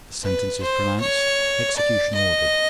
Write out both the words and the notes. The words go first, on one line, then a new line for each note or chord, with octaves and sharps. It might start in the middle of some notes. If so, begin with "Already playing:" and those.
The sentence is pronounced--execution ordered.
B4
C5
C#5
D5
D#5